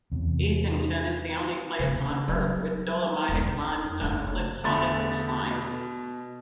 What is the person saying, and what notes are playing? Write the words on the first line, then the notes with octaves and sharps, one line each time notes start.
Easington is the only place on earth with dolomitic limestone cliffs on the coastline.
E2 C3
C#3 A#3
F#3 G3
E1
F2
F#1 A3
E2 D3 A3 B5 A6
B2